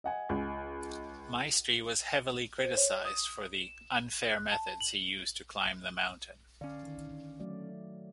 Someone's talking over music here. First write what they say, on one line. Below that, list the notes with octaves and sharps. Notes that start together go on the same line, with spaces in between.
Maestri was heavily criticised for the "unfair" methods he used to climb the mountain.
D#5 F#5 G#5
C#2
C5
C#5
D#6
E7
F#6
A5
F#7
D3 C#4 D5 F5
D#3
F#3 A3 D5